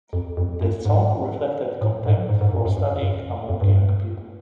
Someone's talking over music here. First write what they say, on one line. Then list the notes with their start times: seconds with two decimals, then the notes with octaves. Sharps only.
The song reflected contempt for studying among young people.
0.13 F2
0.37 F2
0.61 F#2
0.85 G#2
1.81 A2
2.06 G#2
2.29 G#2
2.41 G#2
2.53 F#2
2.65 F#2
2.77 F#2
3.02 F#2
3.49 F2
3.61 G2